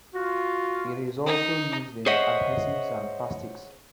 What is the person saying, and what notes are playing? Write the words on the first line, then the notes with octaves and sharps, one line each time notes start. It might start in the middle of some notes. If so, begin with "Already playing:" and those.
It is also used in adhesives and plastics.
F4 F#4
D#4
G#4 C5 C#5 D#5 E5 F#5